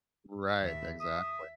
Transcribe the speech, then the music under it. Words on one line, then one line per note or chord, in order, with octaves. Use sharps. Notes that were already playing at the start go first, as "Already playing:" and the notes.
Right, exactly.
D#2 E5
E5 D#6